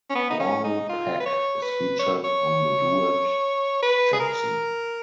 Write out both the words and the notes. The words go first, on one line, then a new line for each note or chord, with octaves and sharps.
Orville Peck is featured on the duet "Jackson".
C#4
B3
D#4
C#4
D#4
F4
B4
C#5
B4
C#5
C#5
B4
G#4
A#4